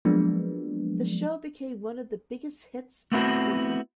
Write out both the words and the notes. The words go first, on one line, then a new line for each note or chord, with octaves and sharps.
The show became one of the biggest hits of the season.
F3 F#3 G#3 A#3 B3 D4
A3 B3 C4 E4 F#4